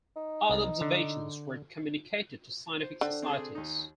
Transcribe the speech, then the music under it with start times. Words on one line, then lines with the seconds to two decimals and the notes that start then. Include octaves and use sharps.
Other observations were communicated to scientific societies.
0.16 D#4
0.50 C2
0.81 D3
2.80 C5
3.01 D3 C5 G5
3.22 C4 D4 G#4
3.55 D#2 D#4